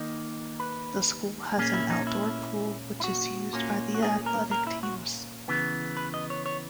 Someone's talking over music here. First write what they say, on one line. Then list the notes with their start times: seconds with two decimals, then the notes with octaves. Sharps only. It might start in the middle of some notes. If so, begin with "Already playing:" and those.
The school has an outdoor pool which is used by the athletic teams.
Already playing: D#3 A#3 D#4 D#5
0.60 B4
1.58 A#2 A#3 C#4 G#4
1.74 E4
1.90 D#4
2.07 E4
3.00 E4
3.04 F#4
3.53 A#2 A#3 C#4
3.95 F#4
4.03 G#4
4.26 A#4
4.51 A#4
4.67 E4
4.83 F#4
5.48 C#3 E3 B3
5.97 B4
6.14 D#5
6.30 C#5
6.46 C#5